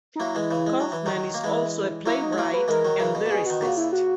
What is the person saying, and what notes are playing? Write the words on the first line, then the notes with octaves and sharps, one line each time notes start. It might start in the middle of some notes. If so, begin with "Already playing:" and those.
Kaufman is also a playwright and lyricist.
D#4
F#3 A#3 E4
E3 G#3
C#3 E3
G#3
F#3
E3
D#3 F#3
A#3
E3 G#3 E4
F#3 A#3 E4
D#4
G#3
F#3 A#3 E4
B4
E3 G#3 A#4
D#3 F#3
C#3 E3
B2
A#2
B2 G#4
D#3 F#4
A#2 C#3 F#4
E4
F#4